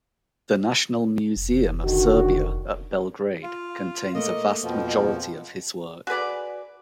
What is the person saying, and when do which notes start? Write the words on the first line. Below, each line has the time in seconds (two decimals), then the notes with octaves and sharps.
The National Museum of Serbia at Belgrade contains a vast majority of his work.
1.36 F1
1.84 D3 D#3 F#4
3.43 F4
4.15 A3 A#3 D#5
4.63 F2 B2 F3
6.07 F#4 G#4 B4 D5